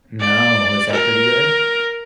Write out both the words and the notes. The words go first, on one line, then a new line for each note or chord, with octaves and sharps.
No, is that pretty good?
D5
A#4